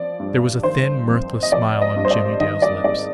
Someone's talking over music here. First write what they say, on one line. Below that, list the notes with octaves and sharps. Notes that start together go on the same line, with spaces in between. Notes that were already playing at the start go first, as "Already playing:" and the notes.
There was a thin, mirthless smile on Jimmie Dale's lips.
Already playing: F3 D5
G2
D#3 C5
F2
D#5
F3 D5
D#5
G2
C5
D5
D#3 D#5
D5
G#2 D5